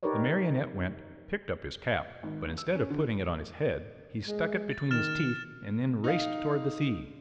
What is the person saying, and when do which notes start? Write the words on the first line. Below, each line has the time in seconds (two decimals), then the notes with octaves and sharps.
The Marionette went, picked up his cap--but instead of putting it on his head, he stuck it between his teeth and then raced toward the sea.
0.03 D#4 G4 A#4 B4 C#5 D5
2.23 G#1
2.58 E6
2.75 C#4
2.90 D3
4.27 G#3
4.71 A6
4.91 D#3 F6 A6 E7
6.04 D#4 F5